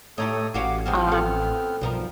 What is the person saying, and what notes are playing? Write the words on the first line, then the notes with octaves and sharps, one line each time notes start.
Um, f
A2 A3 D#4 G4 A4 C#5 D#6
A1 F#4 G4 C#5 F5 D6
F3 G#3 B3 C4 F#4 F6
A4
B1 G2 F3 A#4